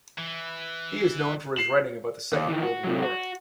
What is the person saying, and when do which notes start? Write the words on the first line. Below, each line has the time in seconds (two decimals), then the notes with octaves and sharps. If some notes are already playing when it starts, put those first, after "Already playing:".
He is known for his writing about the Second World War.
0.18 E3
1.56 C7 E7 F#7
2.33 D#2
2.48 D#3 E3
2.62 F#4
2.84 C3 F#3
3.02 F#4